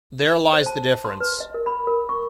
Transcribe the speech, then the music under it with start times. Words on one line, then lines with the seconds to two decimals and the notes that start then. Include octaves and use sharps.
There lies the difference.
0.53 C5
0.66 A5
1.05 C6
1.20 B4
1.40 D#5
1.54 A#4
1.66 B5
1.87 A#4
2.09 C#6